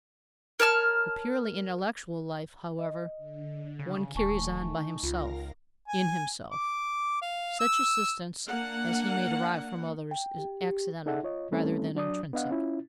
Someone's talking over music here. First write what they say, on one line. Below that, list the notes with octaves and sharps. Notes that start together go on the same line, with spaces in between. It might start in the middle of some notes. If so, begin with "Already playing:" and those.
A purely intellectual life, however, one carries on by himself, in himself; such assistance as he may derive from others is accidental, rather than intrinsic.
A#4 C#5 A5 F6
D#5
D3
C#3
D#1 D#3 A3 G#5 A5 C#6
D#4
C#2 F4 A#4 F5 A#6
G#5
D6
F5
E6
A#3 D4 F#5
G5
G4
G4
D#4 G#4 A4 D5 E5 F#5
F4 C#5 D#5
G3 A3 C4 C#4 E4 A4
F#3 D4 D5 D#6
B3 D4 D#5 F5 F#5
C#4 E4 F4